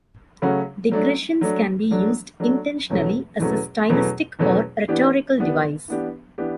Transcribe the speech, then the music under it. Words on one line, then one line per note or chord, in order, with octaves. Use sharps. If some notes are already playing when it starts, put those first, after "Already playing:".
Digressions can be used intentionally as a stylistic or rhetorical device.
C#3 F#3 A3 C#4 F#4
F#3 A3 D4
F#3 A3 D4
F#3 A3 D4
F#3 A3 D4
E2 B2 F#3 A3 C#4
E2 B2 F#3 A3 C#4
E2 B2 F#3 A3 C#4
E2 B2 F#3 A3 C#4
E3 B3 D4 G4
E3 B3 D4 G4
E3 B3 D4 G4
E3 B3 D4 G4